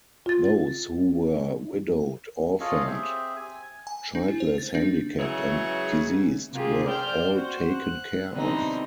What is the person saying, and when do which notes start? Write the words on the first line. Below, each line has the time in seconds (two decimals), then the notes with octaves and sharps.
Those who were widowed, orphaned, childless, handicapped and diseased were all taken care of.
0.26 F4 A6
2.60 F4 G#4 A4 C#5 D#5 F5
2.87 C4 G4 G#4 E5
3.36 G#5
3.87 G#5
4.15 D4
4.28 E4
4.40 C5
4.58 A6
4.75 D4
5.19 C#3 E3 F#3 G#3 C#5
6.53 C3 A#3 F4 G4 G#4
6.86 C5 D5 G5 F6 G6
7.32 F#4 C5
7.74 F#6
8.33 B2 D3 E3 G3 C4 D#4